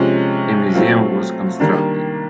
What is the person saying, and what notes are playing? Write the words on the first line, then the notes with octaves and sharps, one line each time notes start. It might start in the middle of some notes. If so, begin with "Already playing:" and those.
A museum was constructed.
Already playing: C3 F3 G#3 C#4
F#3 A3 C4 F4
D#3 G3 A#3 D4